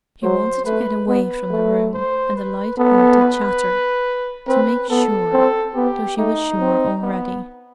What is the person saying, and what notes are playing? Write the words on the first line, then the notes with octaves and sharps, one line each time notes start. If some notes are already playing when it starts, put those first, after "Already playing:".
She wanted to get away from the room, and the light-hearted chatter . . . to make sure, though she was sure already.
F#3 C5
A3 B4
B3 B4
A3
C5
B4
B3 A4
B4
C4 B4
B3 A4
C4
B3 G4
A3 D#4
C4
B3